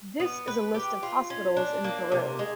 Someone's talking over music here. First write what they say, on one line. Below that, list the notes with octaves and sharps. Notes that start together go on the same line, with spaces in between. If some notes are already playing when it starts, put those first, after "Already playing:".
This is a list of hospitals in Peru.
B3
B4
G4
F4
C#4
D4
A#3
C3
G#3